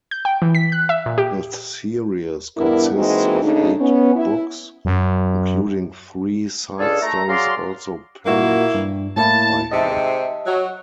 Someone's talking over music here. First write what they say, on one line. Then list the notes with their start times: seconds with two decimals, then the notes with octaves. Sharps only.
The series consists of eight books, including three side stories also penned by her.
0.11 G6
0.25 G5
0.42 E3
0.55 B6
0.72 F#6
0.89 E5
1.06 A#2
1.18 G4
2.57 E2 G2 B3 D4 E4 A#4
2.95 E3 G#3 A#3 C4 D#4 F#4
3.43 C#3 A3 D4 D#4
3.80 B3 C#4
4.16 E4
4.85 F#2
6.79 C#2 D4 F4 G#4 A4
7.01 A3 A#5
7.29 F#3 G#4 D5 F5 A#5 C6
8.26 A#2 A#3 E4 F#4 A#4
8.74 G2
9.16 A2 A#3 E4 A5
9.72 G#2 C3 D#5 E5 A5
10.45 F#3